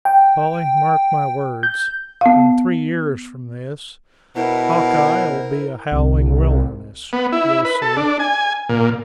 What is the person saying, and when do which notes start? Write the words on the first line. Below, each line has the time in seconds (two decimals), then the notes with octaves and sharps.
Polly, mark my words--in three years from this, Hawkeye'll be a howling wilderness. You'll see.
0.05 G5
1.63 G6
2.21 B3 F5
4.36 B2 E4 A#4 C5
5.92 C2
7.13 B3
7.32 E4
7.65 B4
7.82 A4
7.97 D4
8.19 G#5
8.69 A#2